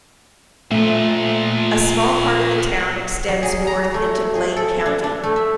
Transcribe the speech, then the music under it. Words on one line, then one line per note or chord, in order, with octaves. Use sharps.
A small part of the town extends north into Blaine County.
A#2 F3 A3 E5
F#3
G#4
A#5
A3
G#4
A4
D4
D4
A3
E5